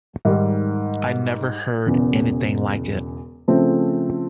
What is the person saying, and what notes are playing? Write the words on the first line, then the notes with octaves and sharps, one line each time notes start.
I never heard anything like it.
G#2 D#3 G3
E1 E2 C#3
C#3 F3 A3 C4